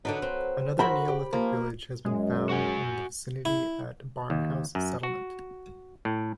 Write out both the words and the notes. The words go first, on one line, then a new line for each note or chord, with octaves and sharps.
Another Neolithic village has been found in the vicinity at Barnhouse Settlement.
D3 F#3 D4 D#4 B4
C4
F#4 A#4 C5 E5 B5
G4
F3 A#3
F#2 G#3
F#4 F#5 G#5
E4
D#2
F#2
F#4
A2